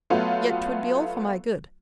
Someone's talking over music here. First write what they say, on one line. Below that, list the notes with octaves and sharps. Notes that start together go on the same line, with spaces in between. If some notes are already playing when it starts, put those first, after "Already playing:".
Yet 'twould be all for my good.
F#3 A3 B3 F4